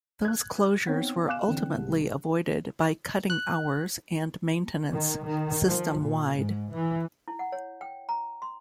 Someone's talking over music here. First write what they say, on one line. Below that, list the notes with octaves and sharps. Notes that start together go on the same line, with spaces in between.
Those closures were ultimately avoided by cutting hours and maintenance system-wide.
F#6 G#6
B3 C4 D#4 C#5
F5 G#5 D6 F#6 E7
D3 E3 C4
C2 G#2
F#6
D#3
D#3
F3
A#2
G#2
E3
E4
F#5
C#5
G5
A#5
C6